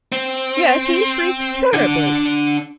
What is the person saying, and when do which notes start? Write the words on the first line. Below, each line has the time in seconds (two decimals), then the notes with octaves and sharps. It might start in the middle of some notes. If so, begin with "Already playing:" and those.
Yes, he shrieked terribly!
0.12 C4
1.73 D3 D4